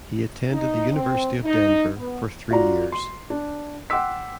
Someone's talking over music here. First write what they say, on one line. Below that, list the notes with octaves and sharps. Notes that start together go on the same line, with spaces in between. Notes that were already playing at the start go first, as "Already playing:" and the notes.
He attended the University of Denver for three years.
D#4
C4
D#4
B3
F4 F#4 D5 A#5
C6
D4
F#5 G5 C6 D6 E6 B6